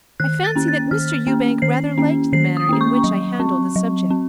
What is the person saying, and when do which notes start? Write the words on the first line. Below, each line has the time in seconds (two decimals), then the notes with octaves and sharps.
I fancy that Mr. Ewbank rather liked the manner in which I handled the subject.
0.20 D#3 F#6
0.44 A6
0.56 A#3 C#4
0.68 A6
0.91 D#3 F6
1.27 A#3 C#4
1.62 D#3 C7
1.98 A#3 C#4
2.33 D#3 C7
2.57 D#6
2.69 A#3 C#4
2.81 C#6
3.04 F#3
3.40 C4
3.76 F#3
4.10 C4